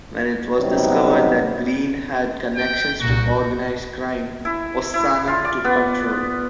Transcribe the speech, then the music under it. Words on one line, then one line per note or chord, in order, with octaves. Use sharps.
When it was discovered that Green had connections to organized crime, Ossanna took control.
A1 C3 F#3 G3 B3 D#4
G5
C2 A#2 F#4
E4
E4
F4
D5
B3